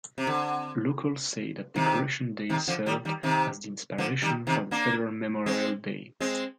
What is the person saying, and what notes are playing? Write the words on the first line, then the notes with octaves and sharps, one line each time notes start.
Locals say that Decoration Day served as the inspiration for the federal Memorial Day.
C3
D3
C3 D#3
C3 D#3
D3 F3
D#3 G3
D#3 G3
C3 D#3
D3 F3
D#3 G3
C3 D#3
A#3 D4
G#3 C4
G#3 C4